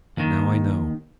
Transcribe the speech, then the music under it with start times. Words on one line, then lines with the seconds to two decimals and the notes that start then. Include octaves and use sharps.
But now I know.
0.17 D#2 D#3